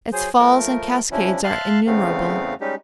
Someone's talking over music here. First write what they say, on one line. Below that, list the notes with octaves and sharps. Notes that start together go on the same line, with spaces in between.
Its falls and cascades are innumerable.
F#3 G#4 C5
F3 A3 A#4
C3 F3 C#4 D4 E4
E5 F5 A5 C6 F6 F#6
E2 C#3 A3 B3 C4 F5
G3 G#3 C#4 D#4 G4